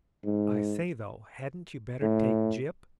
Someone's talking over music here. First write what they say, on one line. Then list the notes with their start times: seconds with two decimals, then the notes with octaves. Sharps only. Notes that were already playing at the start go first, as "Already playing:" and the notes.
"I say, though, hadn't you better take Gyp?"
0.25 G#2
2.02 A2